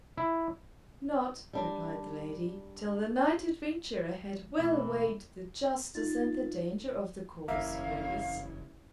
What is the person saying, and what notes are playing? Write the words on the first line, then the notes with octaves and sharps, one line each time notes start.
'Not,' replied the lady, 'till the knight adventurer had well weighed the justice and the danger of the cause, Fergus.
E4
G3 D4
B2 E3 A3 C4
D#4 F4 F5 A6
F#1 E2 G2 A#3 C#4 E4 E5 F5